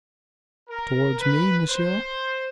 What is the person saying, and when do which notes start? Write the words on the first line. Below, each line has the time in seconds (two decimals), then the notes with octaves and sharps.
"Towards me, monsieur?"
0.69 A#4
1.20 B4
1.70 C5